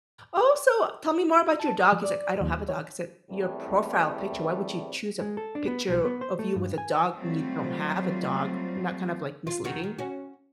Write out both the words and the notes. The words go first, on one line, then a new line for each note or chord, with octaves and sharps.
"Oh, so tell me more about your dog," he's like, "I don't have a dog." I said, "Your profile picture, why would you choose a picture of you with a dog when you don't have a dog?" Isn't that kind of, like, misleading?
A5
D#6
F3
D5
D#2
C#5
E2 A2 G3 A3 C4
G#3
A4
D4
B3
B1
B3
C5
A3
G2
G#5
F#3 G3 A3 C4 F4 C5
F4
F2 D#3 F#4
D#3
C#4 F#4